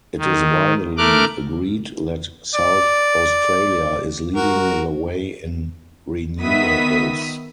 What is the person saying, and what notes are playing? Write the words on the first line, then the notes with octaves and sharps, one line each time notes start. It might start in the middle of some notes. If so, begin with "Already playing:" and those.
It is widely agreed that South Australia is leading the way in renewables.
D#3
A3 A#4 D6 F6 F#6
D5
F#4 A#4
D#3 B3 E5 D#6 B6